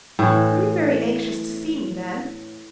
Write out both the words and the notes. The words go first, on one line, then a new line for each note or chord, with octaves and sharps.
"Were you very anxious to see me, then?"
A2 E3